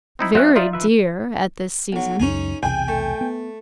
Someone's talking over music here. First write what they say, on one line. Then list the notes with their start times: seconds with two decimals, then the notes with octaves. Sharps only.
"Very dear at this season."
0.19 C4 D#4 E4
0.35 F#3 C4 C#4 E5 F#6
0.56 D#4 F4 D5 E5
0.73 F3 B4 E5
1.93 B1 F#3
2.20 C#2 F#2 C#4 D#4 G#4
2.63 B1 E2 C3 G#4 G5 G#5
2.88 A3
3.21 B3